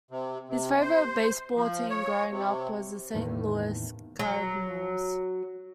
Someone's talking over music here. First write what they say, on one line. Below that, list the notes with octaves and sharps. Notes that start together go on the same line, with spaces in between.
His favorite baseball team growing up was the Saint Louis Cardinals.
C3
C3
C5
F3
C#5
C3
E2 A2 C3 D#3 A#3
F#3